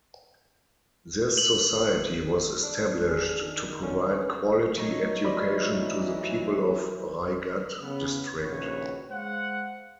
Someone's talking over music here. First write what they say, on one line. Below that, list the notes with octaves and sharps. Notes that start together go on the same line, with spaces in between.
This society was established to provide quality education to the people of Raigad District.
F#7
D4
G#4
D#3
D3 C#4
F#3 A3 D#4 C#5
E3 C5 D5 B5
C#3 B3
A#1 D#2 C#3 F#4 B4 C#5
G#3 C5 F5 F#5